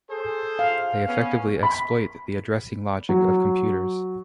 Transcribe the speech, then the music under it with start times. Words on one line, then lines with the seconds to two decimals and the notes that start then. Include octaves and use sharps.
They effectively exploit the addressing logic of computers.
0.10 G#4 A4 C5
0.59 F5
1.07 B3 C#4
1.63 B5
3.09 F#3